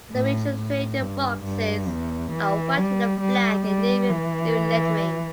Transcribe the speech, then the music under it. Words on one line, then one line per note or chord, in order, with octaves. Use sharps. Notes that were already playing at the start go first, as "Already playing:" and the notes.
The refrigerated boxes are white with the flag and navy blue lettering.
A2
A2
G2
G2
E2
E3
G3
G3
G3
E3